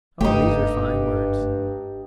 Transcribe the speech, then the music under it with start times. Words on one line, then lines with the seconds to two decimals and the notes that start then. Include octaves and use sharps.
"Oh, these are fine words."
0.21 F#1 G2 A3 D#4 G4